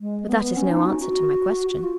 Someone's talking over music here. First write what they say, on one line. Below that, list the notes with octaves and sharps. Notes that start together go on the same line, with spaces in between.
But that is no answer to my question.
G#3
B3
C#4
D#4
F#4
F#4
F#4
F4